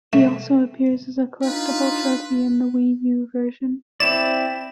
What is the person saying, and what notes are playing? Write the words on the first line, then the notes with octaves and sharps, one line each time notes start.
He also appears as a collectable trophy in the Wii U version.
A3
D4 D#4 F4 B4
C4 E4 D5 E7